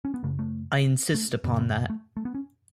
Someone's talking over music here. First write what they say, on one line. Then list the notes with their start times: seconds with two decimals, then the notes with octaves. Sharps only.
I insist upon that.
0.05 C#4
0.14 B3
0.23 F#2 C#3 A3
0.39 A3
1.14 A3
1.44 F#2 B3
1.48 C#3
1.59 B3
1.90 A3
2.17 A3
2.25 B3
2.35 C#4